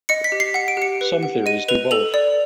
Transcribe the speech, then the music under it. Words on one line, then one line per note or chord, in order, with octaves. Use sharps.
Some theories do both.
D#5 C#7
B6
G4
C7
F#5 C#7
D7
G4 C#7
B4
F#5
D#5 D#7
B4 F7
A4 F7
D5